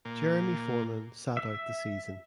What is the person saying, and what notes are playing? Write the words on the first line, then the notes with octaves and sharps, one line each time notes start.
Jeremy Forman sat out the season.
A#2
E5